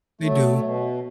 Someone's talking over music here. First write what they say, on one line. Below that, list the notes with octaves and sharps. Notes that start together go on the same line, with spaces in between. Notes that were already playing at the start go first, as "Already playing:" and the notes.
They do.
F#3 A3
B2